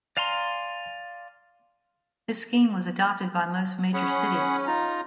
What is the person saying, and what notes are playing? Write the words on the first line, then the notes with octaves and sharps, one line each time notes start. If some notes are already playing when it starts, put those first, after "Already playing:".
This scheme was adopted by most major cities.
D5 F5 G#5 A#5 C6
C#4 G#4 F#5 B5
D#4 F4 A#5